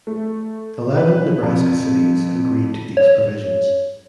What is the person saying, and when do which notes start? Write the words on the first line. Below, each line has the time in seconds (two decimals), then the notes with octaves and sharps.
Eleven Nebraska cities agreed to these provisions.
0.07 A3
0.97 B4
1.43 F2
2.97 C#5